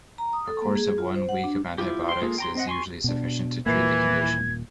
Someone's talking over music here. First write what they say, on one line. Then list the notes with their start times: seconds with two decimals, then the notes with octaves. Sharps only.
A course of one week of antibiotics is usually sufficient to treat the condition.
0.18 A#5
0.33 D#6
0.47 A4
0.62 A#3
0.75 G#4
0.98 F4
1.16 C5
1.29 F#5
1.44 D4
1.78 E4 F4 G4
2.09 G5 C6
2.22 G#3 A#3 F4 A4
2.38 G5 A#5 C6
2.55 C4 D#5 F#5
2.67 G#5 C6 C#6
3.04 B2 D4
3.66 D#1 A#2 E3 A#3 G#6